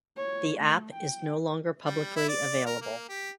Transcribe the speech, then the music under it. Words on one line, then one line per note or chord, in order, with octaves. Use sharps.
The app is no longer publicly available.
C#5
A3
G5
G3
E4
D5
A#4
A#3
G4